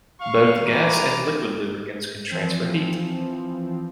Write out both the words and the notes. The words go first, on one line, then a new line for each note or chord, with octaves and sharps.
Both gas and liquid lubricants can transfer heat.
F5 C#6
E3 A#5 D6
E3 F3 C4